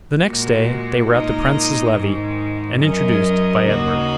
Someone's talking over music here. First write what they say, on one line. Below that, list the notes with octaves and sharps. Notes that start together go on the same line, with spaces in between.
The next day they were at the prince's levee, and introduced by Edward.
A#2 G#3 F#4
A#2 G#3 D#4 A#4 D#5
G#2 D#3 G#3
F#2 F#3 C#4 A#4 D#5
D#2 C#3 A#3 F#4 D#5